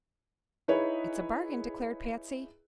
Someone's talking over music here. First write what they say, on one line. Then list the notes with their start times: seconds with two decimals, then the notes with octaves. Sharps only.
"It's a bargain," declared Patsy.
0.68 D#4 E4 G#4 B4 C#5